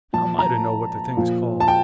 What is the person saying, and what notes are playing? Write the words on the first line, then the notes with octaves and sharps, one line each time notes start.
'How am I to know what the thing's called?
A#2 F3 A5
A#5
A#2 F3
A5
G5